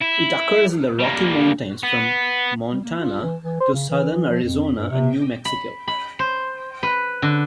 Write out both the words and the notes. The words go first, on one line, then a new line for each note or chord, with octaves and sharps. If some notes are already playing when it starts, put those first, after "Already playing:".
It occurs in the Rocky Mountains from Montana to southern Arizona and New Mexico.
E4
G3 A#3
B3
G3
A#3
F4
E3
E3
C5
C#3
E3
F3
F2
G2
C3
B5
B5
C5
B4
D3